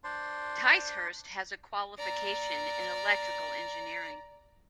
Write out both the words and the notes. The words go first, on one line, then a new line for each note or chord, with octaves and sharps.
Ticehurst has a qualification in electrical engineering.
D4 C5 D5 C6
D5 A#5